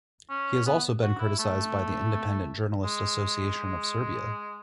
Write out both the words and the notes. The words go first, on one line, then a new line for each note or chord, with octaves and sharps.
He has also been criticized by the Independent Journalist Association of Serbia.
C#4
B3
F#4
E4
A3
G#3